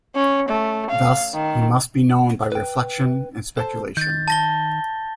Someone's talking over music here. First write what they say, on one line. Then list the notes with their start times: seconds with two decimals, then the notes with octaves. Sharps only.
Thus, He must be known by reflection and speculation.
0.15 C#4
0.48 A3
0.90 F5
1.34 D#3
2.52 B4 G5
3.57 A4 C5 A5
3.97 D#3 G6 A6
4.28 A5 A#6 G7